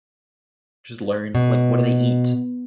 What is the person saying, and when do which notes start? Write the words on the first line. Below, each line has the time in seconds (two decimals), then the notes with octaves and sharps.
Just learn, like, what do they eat?
1.35 B2